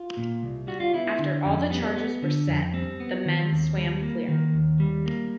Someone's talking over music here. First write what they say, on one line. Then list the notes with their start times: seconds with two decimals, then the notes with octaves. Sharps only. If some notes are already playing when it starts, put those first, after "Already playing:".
After all the charges were set, the men swam clear.
Already playing: F4
0.17 A#2
0.43 C2
0.67 G3 F#4
0.80 F4
0.93 B3 E4
1.07 E4
1.19 D3
1.45 F2 C#4
1.71 G3 B3
1.96 B3
2.22 D3
2.48 F2
2.73 G3 C4
3.00 B3
3.25 D#3
3.51 D#2
3.77 G3
4.02 A#3
4.28 D#3
4.53 D#2
4.80 G3
5.06 A#3